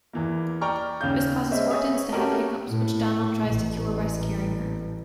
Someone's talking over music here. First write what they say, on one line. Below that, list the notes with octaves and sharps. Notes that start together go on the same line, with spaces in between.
This causes Hortense to have hiccups which Donald tries to cure by scaring her.
E2 E3 A#3
D5 G5 A#5 C#6 F6
D#2 C#3 C#4 F5 G6
G#3 C4 C#4 E5
G#4 C#5 E5 D#6
A3 C#4 F#4 G4 A#4
A2
A1